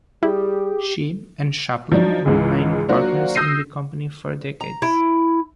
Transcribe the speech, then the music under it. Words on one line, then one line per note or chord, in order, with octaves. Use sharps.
She and Chaplin remained partners in the company for decades.
G3 E4 G4 G#4
F3 F#3 D4 D#4
C#2 G#2 C#3 E3 G#3
F#3 A#3 D4 F4 F#4 C5
D#6 E6 G6 A#6 C7 D#7
A#5
E4